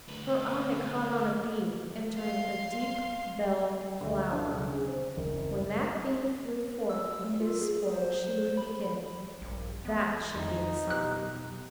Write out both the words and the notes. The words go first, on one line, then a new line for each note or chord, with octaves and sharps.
Her eye caught on a bee entering a deep-belled flower: when that bee flew forth with his spoil she would begin--that should be the sign.
D2 B4
F5 C6
D2
D4
C#3
G#4
C4
F#1
E6
A3
F4
G#4
C5
B5
A#1 G2
E2 B3
F2 D#3 E3 D#4
B2 G4 F#6